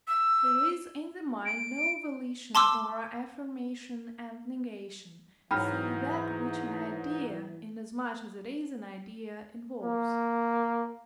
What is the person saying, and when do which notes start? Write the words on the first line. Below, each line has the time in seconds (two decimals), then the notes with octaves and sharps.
There is in the mind no volition or affirmation and negation, save that which an idea, inasmuch as it is an idea, involves.
0.08 E6
1.45 D7
2.55 A5 C6 D6 E6
5.51 G#2 E3 F#3 G5 B5 F6
9.83 A#3